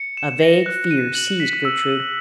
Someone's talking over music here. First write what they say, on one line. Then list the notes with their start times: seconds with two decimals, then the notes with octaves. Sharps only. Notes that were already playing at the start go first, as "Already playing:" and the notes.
A vague fear seized Gertrude.
Already playing: C#7
0.17 E7
0.42 A#6
0.66 F#6
0.91 D#7
1.15 F#7
1.40 B6
1.65 E6
1.89 D#7